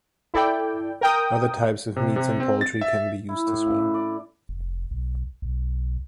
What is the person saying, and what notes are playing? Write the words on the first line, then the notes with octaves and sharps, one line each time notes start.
Other types of meats and poultry can be used as well.
E4 A4 D5 G5
A#4 G5 D#6
C3
C3
C4
A6
E5
E4
A2
C#3
D4
D5
F1
B1
B1